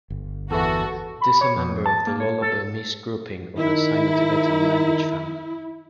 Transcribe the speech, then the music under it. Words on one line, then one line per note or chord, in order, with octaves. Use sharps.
It is a member of the Lolo-Burmese grouping of the Sino-Tibetan language family.
G1
E2 E3 F#4 A4
B5
C#5
F2
A5
A#3
C#5
A4
D#3 E4